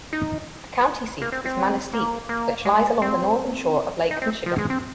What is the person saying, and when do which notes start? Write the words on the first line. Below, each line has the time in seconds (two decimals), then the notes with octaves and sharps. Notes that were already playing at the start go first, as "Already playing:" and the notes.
The county seat is Manistique, which lies along the northern shore of Lake Michigan.
0.13 D#4
1.22 A#3
1.32 C4
1.45 C4
1.93 A#3
2.29 A#3
2.65 G#3
3.02 C4
4.11 D#4
4.22 C4
4.46 F3
4.58 G#3
4.70 C4